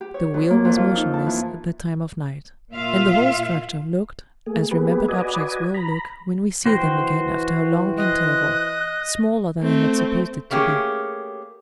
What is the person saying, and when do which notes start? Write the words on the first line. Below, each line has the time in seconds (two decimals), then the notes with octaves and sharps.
The wheel was motionless, at that time of night; and the whole structure looked--as remembered objects will look, when we see them again after a long interval--smaller than I had supposed it to be.
0.01 G4
0.14 C#5
0.34 F2
0.50 A#3
0.65 F2
0.77 F4
0.95 D#4
1.14 A5
1.26 E3
2.72 A#2 F4 E5 F5
4.46 A3 A#3 G#4
4.71 A#3 B3 G4 G#4 B4
5.08 F#4 B4 D5 D#5 G#5
5.74 A#5 B5
6.66 E3 F#4 C5 G5
7.97 D#5 F#6
9.60 A3 C4
10.51 A3 A#3 C#4 G4 G#4